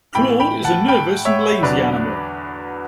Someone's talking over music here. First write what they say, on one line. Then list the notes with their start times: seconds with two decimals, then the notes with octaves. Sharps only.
Claude is a nervous and lazy animal.
0.15 A2 E3 G5 B5
0.40 G5 B5
0.64 F#5 A5
0.88 G5 B5
1.25 C#5 E5
1.63 E2 D3 F#3 B4 D5